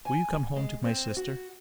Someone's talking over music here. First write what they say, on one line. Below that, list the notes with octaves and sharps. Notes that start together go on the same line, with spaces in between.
Will you come home to my sister?
G#5
G#3
C4
F#4